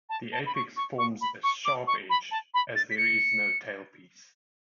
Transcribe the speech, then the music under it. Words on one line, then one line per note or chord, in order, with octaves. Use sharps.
The apex forms a sharp edge, as there is no tailpiece.
A5
A5
B5
C#6
C#6
C#6
B5
C#6
D6
C#6
B5
A5
B5
A6
B6
C#7